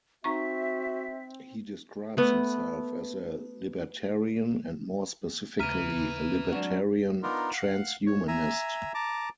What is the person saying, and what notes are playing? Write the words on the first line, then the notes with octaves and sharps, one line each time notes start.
He describes himself as a libertarian and more specifically a libertarian transhumanist.
C4 D#4 F#4 E5 A#5 C#6
A3 B3
D#2 C#3 B4 E5 A#5 F6 D#7
F#3 G#3 C4 D4 F#4
B3 D4 D#4 F4 A#4
F5 F#5
C#5
E5 G#5 A#5
A5 A#5 D6